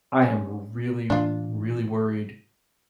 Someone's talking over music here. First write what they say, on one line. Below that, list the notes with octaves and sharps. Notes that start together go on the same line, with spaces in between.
I am really, really worried
C#4
A2 E3 A#3 D4 F4